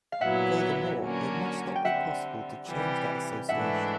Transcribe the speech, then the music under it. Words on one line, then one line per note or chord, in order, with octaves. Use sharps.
Furthermore, it must not be possible to change that association.
F5
A#2 F#3 B3 E4 E5 F#5
D3 F#3 A#3 C#4 F#4
G5
D3 G3 C4 E5 F#5
C3 E3 G3
G#2 E3 A3 D4 E5 F#5